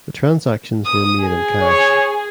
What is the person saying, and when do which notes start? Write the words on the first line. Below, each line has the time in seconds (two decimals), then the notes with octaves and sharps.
The transactions were made in cash.
0.86 D#6
1.22 G#4
1.61 C#5